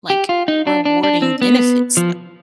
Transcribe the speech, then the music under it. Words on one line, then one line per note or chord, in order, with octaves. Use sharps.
like, rewarding benefits though.
G4
F4
D#4
D4
D4
D4
C4
B3
F3